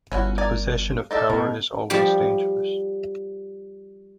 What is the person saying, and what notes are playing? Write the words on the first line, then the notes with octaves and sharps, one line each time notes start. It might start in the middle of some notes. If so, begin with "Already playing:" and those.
The possession of power is always dangerous.
G1 C#4 E4 F#4
A#4 D5 G#5
D#4 A4 D5 E5
B2 A#4
F3 G3 G4 G5